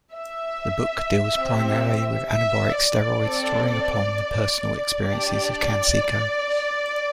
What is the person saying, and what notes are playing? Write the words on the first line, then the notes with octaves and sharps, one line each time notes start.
The book deals primarily with anabolic steroids, drawing upon the personal experiences of Canseco.
E5
C4 G4
E5
D5
C4 A4
D4 G4 D5